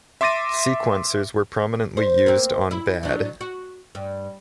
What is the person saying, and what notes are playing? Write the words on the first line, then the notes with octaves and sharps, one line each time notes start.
Sequencers were prominently used on "Bad".
E5 C6 D6 A6 A#6 D#7
C5
A#3 C4
E4
F#3 D4
F#4
G2